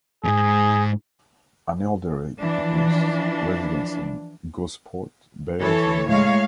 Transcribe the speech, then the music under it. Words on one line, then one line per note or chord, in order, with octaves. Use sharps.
An elderly people's residence in Gosport bears his name.
E2 G#2 G#4
E3 F3 D4
E3 A4 C#5
A2 G#3 C#5 F5